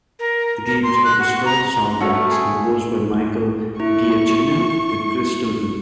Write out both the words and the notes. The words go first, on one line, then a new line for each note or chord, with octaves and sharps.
The game's orchestral soundtrack was composed by Michael Giacchino with Chris Tilton.
A#4
A#4
C6
F#6
F#4
A#5
A3 C#4 F#4 A4
G#4
E4 C#6